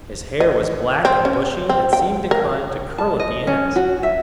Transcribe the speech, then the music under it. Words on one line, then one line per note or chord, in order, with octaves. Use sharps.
His hair was black and bushy and seemed inclined to curl at the ends.
D#5
C4
C#4
C4
G5
A#4
A5
D#5
C#4
F#4
E5